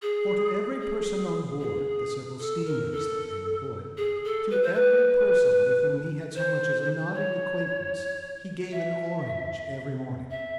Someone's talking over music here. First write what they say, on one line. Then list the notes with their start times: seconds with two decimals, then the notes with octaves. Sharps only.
For, to every person on board the several steamers that they employed--to every person with whom he had so much as a nodding acquaintance, he gave an orange every morning.
0.02 G#4
0.81 G#4
1.60 G#4
2.39 A4
2.66 A#4
2.92 A4
3.97 G#4
4.24 A4
4.50 B4
4.62 C5
4.74 B4
6.35 C5
7.14 C#5
8.72 E5
10.30 E5